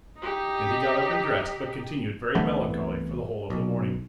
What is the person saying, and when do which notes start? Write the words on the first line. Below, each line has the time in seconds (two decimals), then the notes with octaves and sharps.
Then he got up and dressed but continued very melancholy for the whole of the morning.
0.19 D#4 G4
2.35 C2 E3 A3 B3
3.50 B1